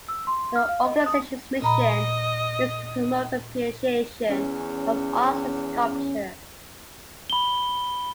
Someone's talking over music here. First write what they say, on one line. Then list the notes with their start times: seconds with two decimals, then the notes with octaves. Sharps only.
The organization's mission is to promote the appreciation of arts and sculpture.
0.09 E6
0.27 C6
0.56 F6
0.69 F5
0.85 D#5
1.06 D#6
1.62 A#2 D#5 A#5 B5
4.29 E2 C#4
7.30 B5 G7